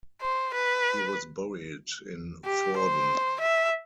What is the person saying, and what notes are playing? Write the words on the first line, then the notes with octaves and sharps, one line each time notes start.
He was buried in Vorden.
C5
B4
G4
C5
E5